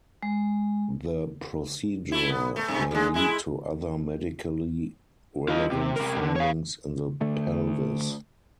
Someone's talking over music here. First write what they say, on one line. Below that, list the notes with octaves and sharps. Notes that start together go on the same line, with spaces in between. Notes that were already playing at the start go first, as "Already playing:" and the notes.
The procedure may lead to other medically relevant findings in the pelvis.
G#3
A3 E4
B3
A3
G2 C3 A3
E2 G#3
G#3 E4
F4 D#5
C3
C3 A#4
D3
C#5 F5
D3 A3